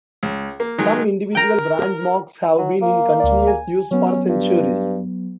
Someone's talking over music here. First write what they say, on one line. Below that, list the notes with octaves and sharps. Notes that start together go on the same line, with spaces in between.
Some individual brand marks have been in continuous use for centuries.
C#2
A#3
D#3 F#3 G#3
A#4 G5 A#5
F#3
A#3
D2 D5
G#5
F#3 B3 C#4
G2